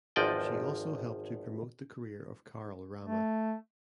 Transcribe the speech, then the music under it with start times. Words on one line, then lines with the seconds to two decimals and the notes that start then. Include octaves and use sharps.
She also helped to promote the career of Carol Rama.
0.16 G#1 E2 F3 D5 D#5 G5
3.03 A3